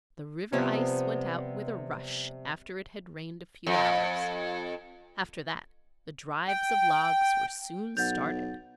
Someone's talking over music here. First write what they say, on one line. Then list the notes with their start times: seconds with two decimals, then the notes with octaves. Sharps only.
The river ice went out with a rush after it had rained a few hours; after that the "drives" of logs were soon started.
0.53 C3 F3 G3 B3
3.66 F2
6.48 G5
7.97 B1 F#5 G6 A6 F7